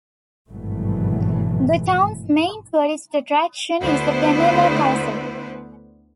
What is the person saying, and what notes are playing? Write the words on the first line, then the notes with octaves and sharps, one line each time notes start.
The town's main tourist attraction is the Penela Castle.
G#1 G2 B2 E3 F#3 A3
D2 B3 D4 E4 B4 C5